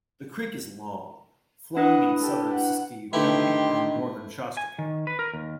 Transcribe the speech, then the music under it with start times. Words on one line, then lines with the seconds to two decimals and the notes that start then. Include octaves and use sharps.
The creek is long, flowing in southern Siskiyou County and northern Shasta County.
1.77 D4 E4 B4 F#5 D#6
2.22 G4 A4
2.53 F#5
3.13 D3 D#3 A3 E4 G4 B4 C6
4.57 G#5
4.79 D#3
5.07 B4
5.19 A#4
5.33 D#2